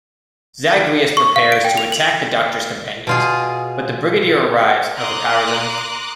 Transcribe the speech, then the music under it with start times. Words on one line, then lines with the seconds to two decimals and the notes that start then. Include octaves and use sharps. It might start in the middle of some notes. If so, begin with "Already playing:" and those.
Zagreus prepares to attack the Doctor's companions, but the Brigadier arrives and overpowers him.
1.17 C#6
1.36 F5
1.52 D7
1.65 G5
1.77 F7
1.92 F#7
3.07 B2 F4 G#4
4.97 A#5 C6 D6 D#6 F#6